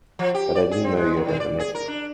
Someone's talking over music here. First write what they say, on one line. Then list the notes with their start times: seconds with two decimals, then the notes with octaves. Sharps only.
But I didn't know you had ever met him.
0.19 F3
0.35 G4
0.55 D5
0.71 G#4
0.84 C4
0.97 G#3
1.17 E2
1.28 D#3
1.40 D5
1.59 G#4
1.75 A#4
1.88 D4